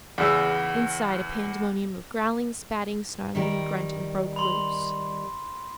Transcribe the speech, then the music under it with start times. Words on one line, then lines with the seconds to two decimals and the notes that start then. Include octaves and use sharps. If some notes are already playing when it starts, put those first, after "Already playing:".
Inside, a pandemonium of growling, spatting, snarling, and grunting broke loose.
0.18 E2 C#3 E6
3.35 D#3 G3 A#4
4.36 B5 C6